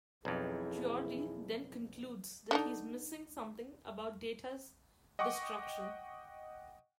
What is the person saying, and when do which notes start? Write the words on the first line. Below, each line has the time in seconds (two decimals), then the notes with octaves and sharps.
Geordi then concludes that he's missing something about Data's destruction.
0.25 B1 F2 E3 E4 G#4
2.51 D3 D4 D#4
5.19 D#5 F#5 G5 C#6 D6